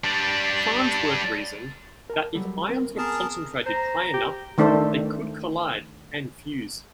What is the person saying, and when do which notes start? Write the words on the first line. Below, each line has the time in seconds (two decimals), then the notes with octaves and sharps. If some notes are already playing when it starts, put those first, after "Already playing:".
Farnsworth reasoned that if ions were concentrated high enough they could collide and fuse.
0.04 G3 D4
2.10 A#4 A5
2.34 F#3 G3 A4
2.69 C4 A#4
2.98 B3 G#4 A#4 A5
3.66 C5 A#5
4.14 G4
4.58 D#3 A3 D4 A4 C5